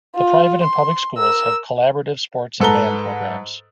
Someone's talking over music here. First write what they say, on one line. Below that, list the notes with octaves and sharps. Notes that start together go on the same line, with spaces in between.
The private and public schools have collaborative sports and band programs.
F4
C6
A#4 E6
G#2 A4 B4 A#5 G7